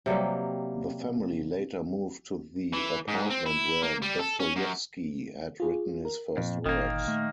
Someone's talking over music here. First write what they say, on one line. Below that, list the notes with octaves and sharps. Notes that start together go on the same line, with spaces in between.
The family later moved to the apartment where Dostoyevsky had written his first works.
C3 F#3 G3 A#3
E3
G#2
C4
E4
A#3
G3
A4
C#4
F#2
F4 G#4
A#4
F2 A#2
G1 D#3 A#3
A3